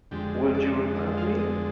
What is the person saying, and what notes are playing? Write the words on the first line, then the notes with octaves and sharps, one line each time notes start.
Will you remind me?
F2 D3 G#3 G4
D5
D#5
F5
D#5